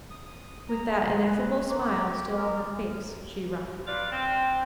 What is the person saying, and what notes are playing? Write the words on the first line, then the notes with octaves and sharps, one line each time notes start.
With that ineffable smile still on her face, she rocked....
D#6
A#5
B4
A#3
G4
A#4
G3 F4 B4 D5 F5
C4